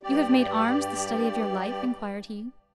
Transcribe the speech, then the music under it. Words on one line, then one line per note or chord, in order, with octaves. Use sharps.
"You have made arms the study of your life?" inquired he.
G2 G4 D5